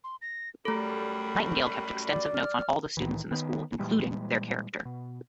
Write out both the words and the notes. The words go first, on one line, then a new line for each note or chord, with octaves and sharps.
Nightingale kept extensive notes on all the students in the school, including their 'character'.
C6
A#6
F#2 G3 A3 A4 B5
D5
F6
C2 A2 D#3 E3
D#3 B3
A#2 E3 G3 G#3
B2